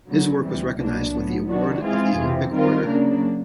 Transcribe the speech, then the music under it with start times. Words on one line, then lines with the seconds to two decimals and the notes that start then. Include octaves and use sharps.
His work was recognized with the award of the Olympic Order.
0.08 D3 F#3 B3
0.43 D2 C3 E3 G3
0.78 C2 B2 F#3 A#3 D4
1.13 A2 F#3 B3
1.48 D#3 F#3 B3 D4 F#4
1.82 E3 G#3 C4 F4 G#4
2.17 F2 C3 E3
2.52 D#3 G3 C4 F4 A#4
2.87 C#3 F#3 A#3 D4